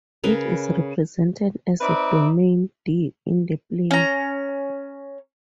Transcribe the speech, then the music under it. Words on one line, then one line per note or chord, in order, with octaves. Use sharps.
It is represented as a domain "D" in the plane.
C#3 A#4 B4
C4 D#4 B4 D5 E5
C#4 A#5